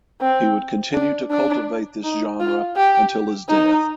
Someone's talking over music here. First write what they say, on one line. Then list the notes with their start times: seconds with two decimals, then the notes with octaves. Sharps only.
He would continue to cultivate this genre until his death.
0.21 C4
0.94 D4
1.31 D4
2.04 D#4
2.40 F4
2.76 G4
3.49 D#4